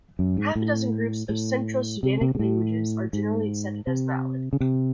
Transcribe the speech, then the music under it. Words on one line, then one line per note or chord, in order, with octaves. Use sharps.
Half a dozen groups of Central Sudanic languages are generally accepted as valid.
F#2
G#2
A2
A2
C3
C3
C3
A2
G#2
C3
C#3
C3